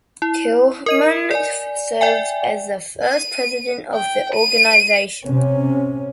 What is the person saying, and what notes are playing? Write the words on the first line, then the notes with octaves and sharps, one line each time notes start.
Tilghman served as the first president of the organization.
E4
A#4 D#5 D#7
D5 G#5
D5 E5 G5 G#5
D#7
G5
D#7
C3 C#4